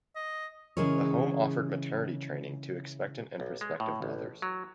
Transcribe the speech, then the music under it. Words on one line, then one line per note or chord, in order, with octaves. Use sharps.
The Home offered maternity training to expectant and prospective mothers.
D#5
C#3 E3 G#3 G#4 A#4 C#5
B1
G#3
A2
A1
F#3